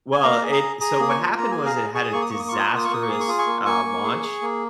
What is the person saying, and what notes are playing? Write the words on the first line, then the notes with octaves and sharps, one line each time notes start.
Well, it so what happened was it had a disastrous, uh, launch,
G#5
A#3 F5 A#5
G#4
A#5 D#6
G#4
G#4 A#5 D#6
A#3 D#6
G#5 C#6
F4
A#3 A#5
G#4 G#5
F5 A#5
G#4
G#4 C#6
D#6
A#3 C#6
D#6
A#3 C#6
D#6
F4 C#6
D#6
C#6
A#3 D#6
C#6
A#3 D#6
C#6
G#4 D#6
C#6
F4 D#6
G#5 C#6
A#3
A#3 G#5 C#6
A#3
G#4
G#4
A#3